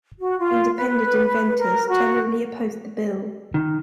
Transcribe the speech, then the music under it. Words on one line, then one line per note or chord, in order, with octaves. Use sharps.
Independent inventors generally opposed the bill.
F#4
F4
B4
A#4
F#4
D#3